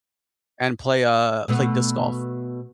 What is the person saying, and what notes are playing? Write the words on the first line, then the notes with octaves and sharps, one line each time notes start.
and play, uh play disc golf.
B2 A3 B3